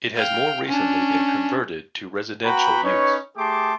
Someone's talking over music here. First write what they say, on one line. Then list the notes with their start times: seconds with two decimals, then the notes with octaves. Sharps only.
It has more recently been converted to residential use.
0.16 F5 G5
0.66 C#4 D4
2.44 B3 F#4 G5 A#5 B5
2.84 C#4 D#4 B4 C#5
3.38 A3 G4 G#4 A5 C6 D6